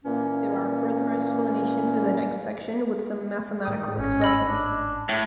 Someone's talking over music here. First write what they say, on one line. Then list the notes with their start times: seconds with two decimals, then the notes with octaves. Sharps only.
There are further explanations in the next section with some mathematical expressions.
0.05 A#2 E3 A#3 C#4
3.65 A2 D#3 G5 D#6
3.95 G#1 A2 C#4
4.22 D#5 B5 E6
4.41 D4
5.09 A2 G#3